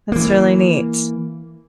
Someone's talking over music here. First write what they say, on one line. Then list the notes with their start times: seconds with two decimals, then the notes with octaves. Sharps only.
that's really neat.
0.12 E3 A#3